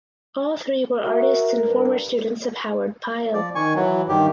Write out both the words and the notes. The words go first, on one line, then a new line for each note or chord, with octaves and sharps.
All three were artists and former students of Howard Pyle.
F#4 A#4 E5
G2 D4 B4
F3 D5
D#3 G#5 C#6
E3 F#3
G2 D#3 G4